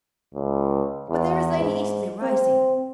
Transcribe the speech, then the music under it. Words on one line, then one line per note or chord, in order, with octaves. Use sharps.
But there is Lady Eastleigh rising.
C#2
E2
G#2
C4